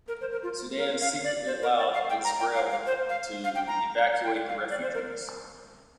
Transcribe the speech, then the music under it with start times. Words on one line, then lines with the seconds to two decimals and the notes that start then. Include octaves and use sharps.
Sudan secretly allowed Israel to evacuate the refugees.
0.08 A#4
0.21 C5
0.32 A#4
0.43 F4
0.78 A#4
1.01 F5
1.24 D5
1.47 C5
1.62 A#4
1.78 D5
1.94 F5
2.09 G5
2.24 A#5
2.40 G5
2.55 F5
2.71 F5
2.86 C5
3.09 F5
3.44 F5
3.55 G5
3.67 A#5
4.24 G5
4.48 F5
4.70 D5
4.82 C5
4.94 A#4